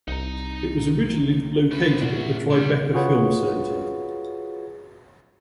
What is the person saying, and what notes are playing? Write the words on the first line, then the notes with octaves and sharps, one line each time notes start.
It was originally located at the Tribeca Film Center.
C2 D#4 A#5
A3 B4
A#2 D4 F#4
A2 G3
F4 F#4 G#4 B4 C#5 F#5